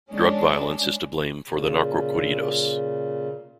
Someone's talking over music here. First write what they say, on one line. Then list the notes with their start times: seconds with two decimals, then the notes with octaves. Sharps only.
Drug violence is to blame for narcocorridos.
0.10 G#3 C#4 D4
1.47 A#2 C#3